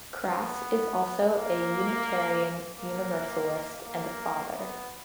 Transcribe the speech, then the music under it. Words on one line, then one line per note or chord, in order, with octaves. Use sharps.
Crass is also a Unitarian Universalist and a father.
B3
A#3
A#3
A#3
B3